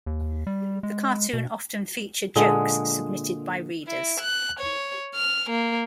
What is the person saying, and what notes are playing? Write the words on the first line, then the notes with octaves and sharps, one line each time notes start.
The cartoon often featured jokes submitted by readers.
D#2
G3
G#3
B2
A#2 D3 G#3
E4
F#6
C#5
F6
A#3